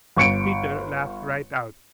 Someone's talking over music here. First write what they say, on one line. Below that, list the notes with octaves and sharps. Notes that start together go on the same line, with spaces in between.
Peter laughed right out.
G1 C#6 C#7 D7